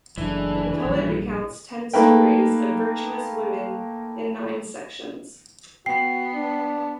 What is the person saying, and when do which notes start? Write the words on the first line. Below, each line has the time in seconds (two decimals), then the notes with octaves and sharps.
The poet recounts ten stories of virtuous women in nine sections.
0.18 F#1 E3 G#3 A3 D4
0.85 A#1 G2
1.94 A3 A#3 D#4 A#4 B4 G5
5.86 B3 F#4 G5 C7
6.34 D4